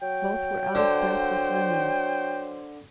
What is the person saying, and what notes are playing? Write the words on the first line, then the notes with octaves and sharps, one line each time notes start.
Both were out of breath with running.
F#3 G5
D3 C5